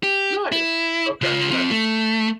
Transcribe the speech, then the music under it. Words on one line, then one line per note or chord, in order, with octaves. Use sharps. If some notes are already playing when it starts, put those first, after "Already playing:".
Nice. Okay, nice.
G4
E4
C#3 F4
C4 F4
A3